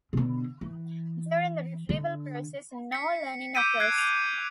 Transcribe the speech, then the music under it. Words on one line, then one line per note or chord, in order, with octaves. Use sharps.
During the retrieval process, no learning occurs.
B2 D3
E3
D3
B6 C#7
D6 E6 G6 B6 D7 D#7
F#6 G#6 C7 D7
F7